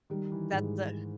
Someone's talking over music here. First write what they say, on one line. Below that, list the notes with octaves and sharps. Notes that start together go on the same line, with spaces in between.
that the
D#3 G3
E3
G#2 G#3